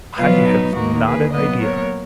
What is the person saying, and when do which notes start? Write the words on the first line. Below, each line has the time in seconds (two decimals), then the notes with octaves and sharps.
"I have not an idea."
0.18 B2 F#3 B3 F4
0.47 D#4
0.75 D#2 D#3 A#3 F#4 A#4
1.04 G#4 B4
1.33 A#2 F#3 B3 B4 D#5
1.61 A#4 C#5